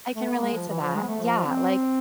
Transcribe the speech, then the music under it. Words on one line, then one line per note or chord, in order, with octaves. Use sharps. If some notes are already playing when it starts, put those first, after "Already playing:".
I can relate to that. Yeah, like,
A3
B3
G#3
F3
E3
F3
G#3
B3
A3
F3
C4